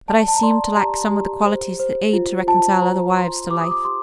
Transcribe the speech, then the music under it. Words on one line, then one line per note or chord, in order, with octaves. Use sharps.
But I seemed to lack some of the qualities that aid to reconcile other wives to life.
D5 A5
A5
A#5
D5 C6
G4 A#5
G4
C5
C5
F4
F4 A5
C5 A#5
C5 C6
G4 D6
D#6
D6
G4 C6